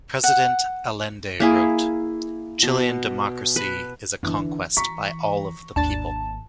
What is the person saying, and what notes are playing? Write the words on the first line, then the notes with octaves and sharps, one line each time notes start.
President Allende wrote: Chilean democracy is a conquest by all of the people.
F#5
A#3 E4 G#4
B2
B4
G1 D3 E3
E3 A#5 C#6 B6
G#1 D#2 A#3 D4 A5 A6